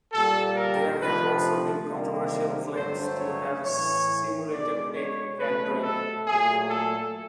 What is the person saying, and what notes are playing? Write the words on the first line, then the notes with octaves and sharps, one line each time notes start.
There have also been controversial claims to have simulated a cat brain.
A#2 G3 A#3 A4
A#4
C3 F3 A3 B4
C3 D#3 G3 A#3
G2 D3 F#3 A3 C5
C#5
A2 E3 A3 C#5
B2 G#3 D5
C#5
B2 F#3 A3 B4
A4
A#2 F#3 A3 G#4
A4